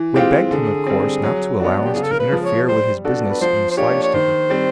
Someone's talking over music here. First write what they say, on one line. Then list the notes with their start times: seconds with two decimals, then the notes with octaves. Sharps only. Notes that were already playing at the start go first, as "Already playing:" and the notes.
We, begged him, of course, not to allow us to interfere with his business in the slightest degree.
Already playing: E3
0.14 G#3 C4 F4 G4
0.51 D3 G#4
0.87 G3 C4
1.23 F#3
1.60 B3 D4 F#4
1.85 G4
1.94 C#3 G#4
2.03 A4
2.12 A#4
2.20 B4
2.32 F3 G#3
2.45 C#5
2.68 G3 C5
3.04 B3 D4 F#4 A4
3.30 B4
3.41 F3 C5
3.71 C5
3.77 A#3 D4 G4 C#5
4.02 C#5
4.14 D#3 C5
4.50 G3 C4